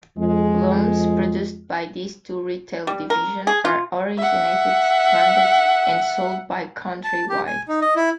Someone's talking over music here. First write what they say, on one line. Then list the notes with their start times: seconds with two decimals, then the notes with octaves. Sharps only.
Loans produced by these two retail division are originated, funded, and sold by Countrywide.
0.18 F2 G#3
2.87 G3
3.10 A#4
3.47 G#4
3.65 F4
4.18 E5 F#5
7.04 A5
7.29 G4
7.47 G#5
7.68 D#4
7.82 D#5
7.96 E4